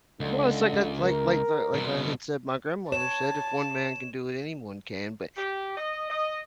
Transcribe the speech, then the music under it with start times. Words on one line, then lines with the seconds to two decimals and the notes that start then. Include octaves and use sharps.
Well, it's like a like like the like I had said, my grandmother said, "If one man can do it, anyone can," but,
0.20 C#2 D3
1.02 A#4
1.74 C2 B2
2.92 C#5 A5 E7
5.37 G4
5.78 D#5
6.10 D#5